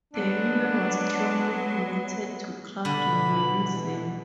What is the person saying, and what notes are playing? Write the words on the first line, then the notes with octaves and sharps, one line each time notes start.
The union was strongly committed to craft unionism.
F#3 G#3 B3 D4
B2 D3 E3 B5